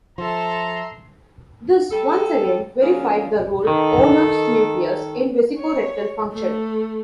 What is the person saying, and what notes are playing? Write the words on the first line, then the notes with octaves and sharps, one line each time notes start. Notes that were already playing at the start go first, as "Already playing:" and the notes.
This, once again, verified the role Onuf's nucleus in vesicorectal function.
F3 A4 E5 A#5 C6
G3 A4
C#3 F3 A#3 C#4 D4
D#3 A4
C#5
A3